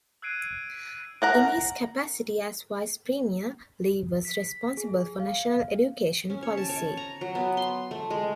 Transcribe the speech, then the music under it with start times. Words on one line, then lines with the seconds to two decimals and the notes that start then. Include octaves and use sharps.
In his capacity as Vice Premier, Li was responsible for national education policy.
0.22 E6 F#6 G#6 C7 D7 D#7
1.22 A#4 F#5 A#5
4.25 B6
4.77 G#4
5.20 F5
6.30 C#4
6.43 C#5
6.57 A5
6.69 C#5
6.97 A#5
7.21 F#3
7.35 B3
7.57 C6
7.91 A3
8.10 G#3